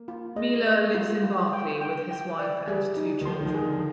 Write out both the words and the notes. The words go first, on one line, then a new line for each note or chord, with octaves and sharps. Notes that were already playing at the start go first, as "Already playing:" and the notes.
Miele lives in Berkeley with his wife and two children.
Already playing: A#3
F4
G#3 D#5
D#5
F4
F4
G5
G5
G5
D5
G3 G#4
D#4
D#3
F3 C6
D#3
F3
G#4
D3
F3